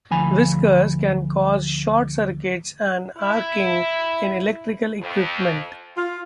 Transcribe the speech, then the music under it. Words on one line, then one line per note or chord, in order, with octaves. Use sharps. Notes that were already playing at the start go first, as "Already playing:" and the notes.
Whiskers can cause short circuits and arcing in electrical equipment.
D2 F3 G#5 B5
E4
F2
F4